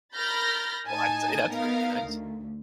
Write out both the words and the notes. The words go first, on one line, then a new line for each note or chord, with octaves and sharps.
Well, I'd say that's really nice.
A#4 B5 F6 G6 A6 A#6
A2 D#4 G#5 A5
B3 D#4 A#4 F5
D2